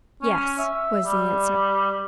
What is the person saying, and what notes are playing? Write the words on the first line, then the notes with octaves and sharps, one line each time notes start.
"Yes," was the answer.
C#4
E5
G3